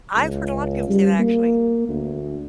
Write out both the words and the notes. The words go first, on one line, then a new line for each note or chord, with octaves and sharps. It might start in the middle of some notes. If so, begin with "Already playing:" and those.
I've heard a lotta people say that, actually.
C#2
G3
A#3
D2